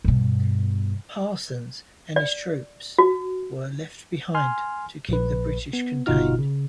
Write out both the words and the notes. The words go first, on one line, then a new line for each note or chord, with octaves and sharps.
Parsons and his troops were left behind to keep the British contained.
G2 B2
D5
F#4
G#5 C6 F6
A#1 B4
B3
G1 B2 D#4 F4 F#4 F6
C#3